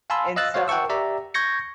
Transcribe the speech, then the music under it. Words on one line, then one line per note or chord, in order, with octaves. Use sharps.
and so
F5 G#5 A5 B5 C6 E6
D#5 F5 E6 F#6 A6
F#4 C5 C#5 F5
F#5 G5 A5 C#6 E6
G4 D5 E5 A#5
C#6 G6 G#6 A#6 C#7